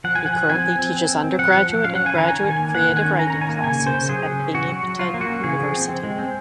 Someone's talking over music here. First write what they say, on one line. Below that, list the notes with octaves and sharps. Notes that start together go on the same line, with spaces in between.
He currently teaches undergraduate and graduate creative writing classes at Binghamton University.
F3 F#5
F3 G#5
F#5
F3
C4 G#5
F3
C4
C4
C4
C4
F3 F#5
F3
F3
C#4 F5
C#4 F#5
G#5
D#3 A#5
D#3 G#5
D#3
G#5
A#3
D#3 F#5
D#3
G#5
C#4
C#4 A#5
D#3 A#5
G#5
A#3
C#3 G#5
C#3
C5
C#3
F#3 G#4
C#3
C#4
C#3 F#4
F#3
F#3
F#3 F4
A#3
F#4
C#4
C#3 G#4
F3
C4
C4
G#3
C4